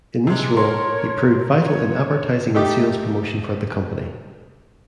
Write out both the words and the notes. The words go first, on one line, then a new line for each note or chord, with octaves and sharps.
In this role, he proved vital in advertising and sales promotion for the company.
C3 G#3
A4 A#4 C#5 C6
C#5
A3 D#4 G4 D6